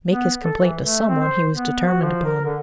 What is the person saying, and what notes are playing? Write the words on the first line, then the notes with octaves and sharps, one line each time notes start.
Make his complaint to some one, he was determined upon.
B3
A4
E3
A3
C4
C5
B3
F#4
F3
A#4
D3